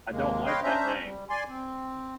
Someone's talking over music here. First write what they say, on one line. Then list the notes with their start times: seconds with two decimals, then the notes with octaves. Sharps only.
I don't like that name.
0.11 D#2 C3 G#3 A#3
0.46 B4 C#5 D#5 F5 G5 C6
0.63 C#4 D4 C5 E5 A#5
1.04 G3
1.30 D5 G#5 C6
1.49 C4